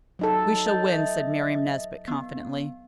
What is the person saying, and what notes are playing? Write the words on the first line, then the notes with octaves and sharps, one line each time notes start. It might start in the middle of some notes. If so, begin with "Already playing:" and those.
"We shall win," said Miriam Nesbit confidently.
F#3 D#4 A4
D#5 G6
D#5 E5
B3